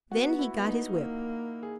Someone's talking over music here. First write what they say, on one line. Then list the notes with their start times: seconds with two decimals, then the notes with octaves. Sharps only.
Then he got his whip.
0.12 B3 F#4
0.39 E4
0.52 B3
0.65 D#4
0.91 A#3
1.63 G#4